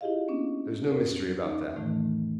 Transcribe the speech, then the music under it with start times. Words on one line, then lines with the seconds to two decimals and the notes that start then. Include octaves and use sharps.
There is no mystery about that.
0.01 E4 F4 G4 G#4 D#5 F5
0.28 A#3 B3 C#4 D4
0.86 F2 C#4 A#4
1.42 D#4
1.77 A2 D#3 E3 A3